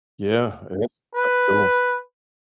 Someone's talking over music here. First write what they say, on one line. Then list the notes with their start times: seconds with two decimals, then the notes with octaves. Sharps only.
Yeah, that's that's cool.
1.15 B4